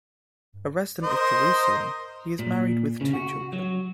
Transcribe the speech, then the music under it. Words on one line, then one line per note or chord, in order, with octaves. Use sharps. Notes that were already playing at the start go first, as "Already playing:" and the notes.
A resident of Jerusalem, he is married with two children.
A#4 C5 D#5
A#2
C#3
F#4
F#3